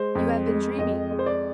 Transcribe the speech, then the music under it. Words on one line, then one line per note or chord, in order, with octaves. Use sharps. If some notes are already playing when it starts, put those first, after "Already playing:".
You have been dreaming.
Already playing: G#3 C5
F2
G#3
F2 D#5
G#3
C5
D5